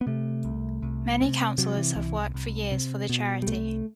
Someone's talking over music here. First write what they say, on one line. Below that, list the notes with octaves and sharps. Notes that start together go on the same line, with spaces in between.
Many counsellors have worked for years for the charity.
B3
C3 A3
C2
C2
C3
C3 F#3
E3
C2 E3
C2
C3
B2
G3
C2 A3